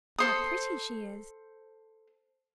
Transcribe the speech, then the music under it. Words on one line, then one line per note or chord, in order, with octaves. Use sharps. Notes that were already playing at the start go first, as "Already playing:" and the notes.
How pretty she is!
A4 C5 D#6